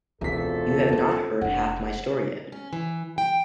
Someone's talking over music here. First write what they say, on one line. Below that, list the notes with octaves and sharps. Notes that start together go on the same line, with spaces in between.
You have not heard half my story yet!
E1 C3 C4 F4 A4 B6
C#3
F1 D4 F#5
C#4
E3
G5